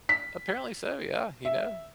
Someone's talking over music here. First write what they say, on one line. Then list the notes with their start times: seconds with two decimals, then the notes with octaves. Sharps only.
Apparently so, yeah, you know,
0.09 B6
1.45 E5